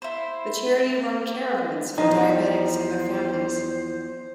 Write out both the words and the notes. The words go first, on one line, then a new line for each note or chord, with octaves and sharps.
The charity run Care Events for diabetics and their families.
E4 C5
E2 F3 D#4 C5